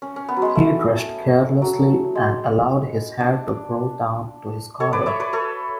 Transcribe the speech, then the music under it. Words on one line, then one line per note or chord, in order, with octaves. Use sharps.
He dressed carelessly and allowed his hair to grow down to his collar.
C#4
C#4
B3
F#3
G#3
A3
F#3
G#3
D4
A4 C#5
B4 D5
C#5 E5
B4 D5
A4 C#5